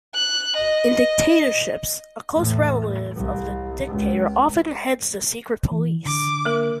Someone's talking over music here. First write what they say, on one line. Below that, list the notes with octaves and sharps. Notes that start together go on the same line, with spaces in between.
In dictatorships, a close relative of the dictator often heads the secret police.
F#6
D#5
E2 A2
C2
C#2
E3
D3 D6
A#3 A#4